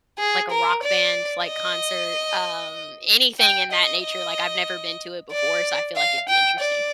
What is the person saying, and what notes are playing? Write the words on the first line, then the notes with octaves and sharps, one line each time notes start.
Like a rock band, like concert, um, anything in that nature, like I've never been to it before, so, I feel like it'd be interesting.
G#4
A#4
D5
D#5
G5
D#5
D#5
D5
F5
G5
D5